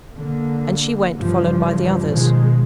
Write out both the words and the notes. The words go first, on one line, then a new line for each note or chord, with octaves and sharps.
And she went, followed by the others.
D3 A#3
G2 C#3 E3 F3
B2 D#3 F3 G#3